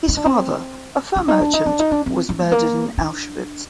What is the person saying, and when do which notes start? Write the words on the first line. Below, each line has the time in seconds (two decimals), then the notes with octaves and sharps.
His father, a fur merchant, was murdered in Auschwitz.
0.08 D#4
0.17 D4
0.25 C4
1.16 D4
1.28 D#4
1.41 D4
1.53 D#4
1.66 D4
1.79 D#4
1.92 D4
2.06 C4
2.29 D4
2.43 G#3
2.52 A#3
2.98 D4